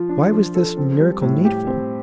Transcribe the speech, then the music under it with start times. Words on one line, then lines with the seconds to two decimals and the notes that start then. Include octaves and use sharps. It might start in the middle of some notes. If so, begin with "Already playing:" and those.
Why was this miracle needful?
Already playing: F3 F4
0.09 D4
0.32 F3
0.55 A4
0.77 C4
1.00 G3
1.22 A2
1.45 G4
1.67 C4